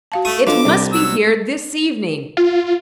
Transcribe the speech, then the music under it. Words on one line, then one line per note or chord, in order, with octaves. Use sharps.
It must be here this evening!
F#4 F5 A5
A3 C#6 D#6
F3 D4 A4 D#5 D6
C2 D#5
F#3 E6
F4